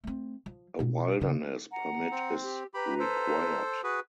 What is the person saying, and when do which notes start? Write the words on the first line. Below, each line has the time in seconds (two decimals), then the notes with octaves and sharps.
A wilderness permit is required.
0.04 A3 C4
0.46 F3
0.79 B2 F4
1.21 C#3 C#4
1.71 F#5 A#5
2.11 C4
2.42 G4
2.74 G4 B4 A#5 B5
3.00 A4 C5
3.84 F#4 G#4 B4